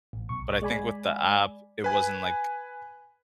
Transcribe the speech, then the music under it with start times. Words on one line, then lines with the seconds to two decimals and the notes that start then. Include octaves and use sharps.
but I think with the app, it wasn't, like,
0.13 A1
0.29 B1 C#6
0.61 G#3 D5 G#5 B5
1.84 B4 G#5